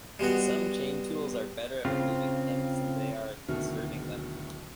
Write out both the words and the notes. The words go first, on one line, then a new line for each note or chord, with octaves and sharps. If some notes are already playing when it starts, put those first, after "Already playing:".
Some chain tools are better at removing pins than they are at inserting them.
G3 G#3 B3 F#4
C#3 C4 F4
D1 B2 D3 D#3 A3 F6